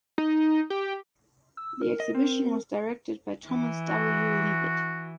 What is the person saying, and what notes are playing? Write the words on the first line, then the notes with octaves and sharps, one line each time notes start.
The exhibition was directed by Thomas W. Leavitt.
D#4
G4
E6
A#4
D#5
C4
E3
F#4